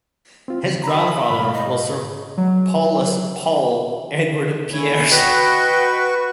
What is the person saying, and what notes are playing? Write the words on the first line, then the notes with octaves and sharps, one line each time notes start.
His grandfather was Sir Paulus "Paul" Edward Pieris.
C4 F4
C#3
A#5 B5 E6
G#2 B2 F5
D#5
F#3
E4 C#5 G#5
F#4 B4 D#5 G5 B5 C#6